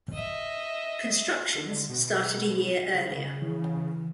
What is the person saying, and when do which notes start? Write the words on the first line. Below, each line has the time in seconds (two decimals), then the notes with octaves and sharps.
Constructions started a year earlier.
0.13 D#5 E5
1.54 D3
1.89 B2
2.93 C#3
3.42 E3